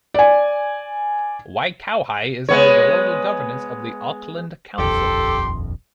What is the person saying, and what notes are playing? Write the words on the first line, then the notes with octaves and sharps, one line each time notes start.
Waikowhai is under the local governance of the Auckland Council.
D5 G#5
G#3 B3 C#5
D#1 A#1 F2 G4 A4 C6